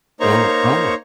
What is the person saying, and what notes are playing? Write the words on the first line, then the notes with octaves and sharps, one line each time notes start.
Oh. Oh.
A#3 D#4 C5 C#5 A#5 C#6